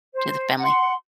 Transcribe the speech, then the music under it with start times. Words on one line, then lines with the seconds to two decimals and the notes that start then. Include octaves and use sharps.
to the family.
0.13 C5
0.57 F#5
0.63 C6